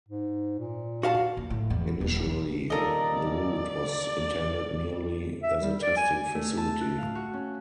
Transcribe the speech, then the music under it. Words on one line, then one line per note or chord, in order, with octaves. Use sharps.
Initially, the route was intended merely as a testing facility.
G#2
A#2
F#4 F5 A5
D#2
A2
E2
D#1
E2
D#1 D#4 A4 A#4 D5 D#5
E5
G3
D5
G#5
A3
A5
F#6
F5
F#4
C#4